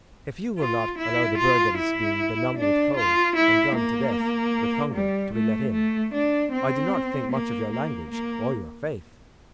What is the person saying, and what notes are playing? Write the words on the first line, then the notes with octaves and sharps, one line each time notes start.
If you will not allow the bird that is being benumbed with cold, and done to death with hunger, to be let in, I do not think much of your language or your faith.
F4
E4
F4
E4
D4
F4
E4
A#3
G3
A3
A3
D4
C4
A#3
A#3
A#3